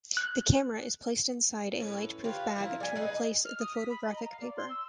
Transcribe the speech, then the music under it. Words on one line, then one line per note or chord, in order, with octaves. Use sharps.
The camera is placed inside a light-proof bag to replace the photographic paper.
F#6
A2 C#4 B4
F4 G4 B4 C#5
F3 A#3 E4
G3 G#5
D#4 G#4 B4 D#5
F6
D#6
B6
B5
D#5
A#5
F5
D5
C6
E6